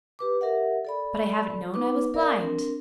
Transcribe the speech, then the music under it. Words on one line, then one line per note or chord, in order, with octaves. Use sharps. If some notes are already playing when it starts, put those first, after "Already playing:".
"But I haven't known I was blind!"
G4 B4 D6
G4 A#4 E5 F#5
A4 D5 B5
B3 D#4 B4 D6
A#4 D5 F5
C4 D4 A#4